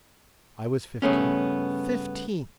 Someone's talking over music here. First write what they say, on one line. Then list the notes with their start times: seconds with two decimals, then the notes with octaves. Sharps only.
I was fifteen--fifteen!
1.02 G2 C#3 A3 B3 C#4